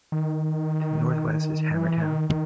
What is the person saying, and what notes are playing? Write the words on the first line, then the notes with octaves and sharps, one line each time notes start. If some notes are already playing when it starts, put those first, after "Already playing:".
To the northwest is Hammertown.
D#3
E3
D#3
D#3